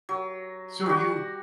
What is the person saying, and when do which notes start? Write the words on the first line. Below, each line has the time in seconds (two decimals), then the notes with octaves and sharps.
So, you,
0.09 F#3
0.86 G3 F#4